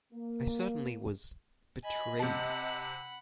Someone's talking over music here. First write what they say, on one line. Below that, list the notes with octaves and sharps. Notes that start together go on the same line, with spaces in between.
I certainly was betrayed.
A#3
D#5 G#5 B5
C3 F#5 A5 B5